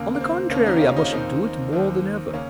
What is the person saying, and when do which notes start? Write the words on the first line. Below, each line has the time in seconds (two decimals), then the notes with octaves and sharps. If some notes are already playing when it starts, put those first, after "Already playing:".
On the contrary, I must do it more than ever.
Already playing: D#2 C#3 A#3
0.15 A#3
0.21 C4
0.50 D#2 C#3 A#3 C#4
0.66 C4 D#4
0.76 G4
0.81 C#4 F4
0.96 D#4
1.05 F4
1.12 D#2 D#3 C4 D#4
1.73 D#2 D#3
2.34 C#3 A#3 C#4